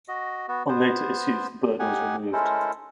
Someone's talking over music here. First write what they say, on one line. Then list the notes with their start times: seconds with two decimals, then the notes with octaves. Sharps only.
On later issues the bird was removed.
0.08 F#4 D#5
0.48 B3 F#4
0.68 B3 C5
1.79 D#4 G4 F#5 G#5
2.33 G#3 C#4 E4 A4 A#4 C5